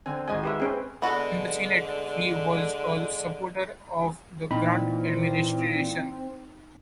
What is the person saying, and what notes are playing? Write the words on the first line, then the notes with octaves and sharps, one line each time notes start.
In the Senate he was a supporter of the Grant Administration.
D3 C4 G#5
G#1 G#3 D#5 G#5
G4 B4 E5
C4 C#4 G#4 B4
D3 G#3 B3 F#4 A4
A#2 E3 C4 D#4 B5